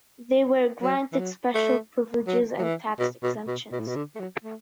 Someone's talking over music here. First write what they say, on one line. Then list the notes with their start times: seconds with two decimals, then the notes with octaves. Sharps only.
They were granted special privileges and tax exemptions.
0.82 F#3
1.13 E3
1.18 F#3
1.55 A3
2.27 F#3
2.59 F#3
2.63 E3
2.99 B2
3.23 B2
3.47 B2
3.72 B2
3.80 A2
3.88 B2
3.95 D3
4.16 A3
4.20 F#3
4.44 A3